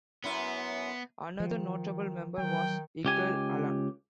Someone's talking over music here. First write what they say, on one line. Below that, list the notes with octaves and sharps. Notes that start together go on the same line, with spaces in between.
Another notable member was Yigal Allon.
F#2 B3 E4
D#3 F3
D#3 F#3 G5
C#2 G4 G#5